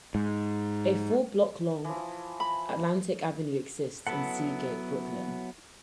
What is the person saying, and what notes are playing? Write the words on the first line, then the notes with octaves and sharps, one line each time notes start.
A four-block-long Atlantic Avenue exists in Sea Gate, Brooklyn.
G#2
E3 F3
B5
F#3 B3 E4 A4 F#5